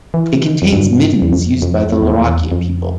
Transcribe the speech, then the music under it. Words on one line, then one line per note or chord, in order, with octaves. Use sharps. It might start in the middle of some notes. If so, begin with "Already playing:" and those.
It contains middens used by the Larrakia people.
E3
F2
G2
E2
F2
F2
F2
E2
E2
F2